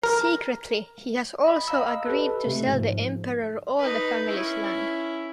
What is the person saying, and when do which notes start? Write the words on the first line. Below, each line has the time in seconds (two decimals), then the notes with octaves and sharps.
Secretly, he has also agreed to sell the Emperor all the family's land.
0.03 A#4
1.44 D#5 B5
1.68 D#5 F5 A#5 E6
2.05 G4 A4 B4
2.45 C3 A3
2.67 G#2 F3
3.79 D#4 B4
4.28 C#4 E4